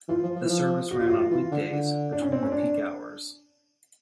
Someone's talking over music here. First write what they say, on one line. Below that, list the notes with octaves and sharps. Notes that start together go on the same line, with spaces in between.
The service ran on weekdays between the peak hours.
E3 F4
F3
F3
E3
F3
F#4
F4
F#4
F4
F4
E3
D3
D3
D4
C#4
C4
C#4
D4